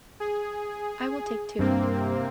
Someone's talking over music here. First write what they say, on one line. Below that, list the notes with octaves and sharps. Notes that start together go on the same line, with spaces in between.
I will take two.
G#4
G2 C3 A#3 C4